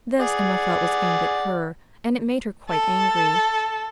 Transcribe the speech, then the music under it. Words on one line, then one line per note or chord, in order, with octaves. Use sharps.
This Emma felt was aimed at her; and it made her quite angry.
G#4 D5 F#5
A4